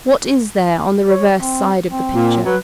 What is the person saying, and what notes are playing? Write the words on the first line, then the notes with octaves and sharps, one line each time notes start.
What is there on the reverse side of the picture?
C#5
C4
C4
A#2
F#3 B4